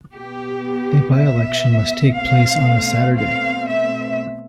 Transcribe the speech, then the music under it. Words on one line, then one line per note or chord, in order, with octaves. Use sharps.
A by-election must take place on a Saturday.
B2 B3 G4
E5
B2 A3 C4 F5
F5
E5